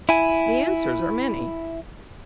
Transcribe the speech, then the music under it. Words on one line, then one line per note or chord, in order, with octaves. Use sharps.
The answers are many.
E4 G#5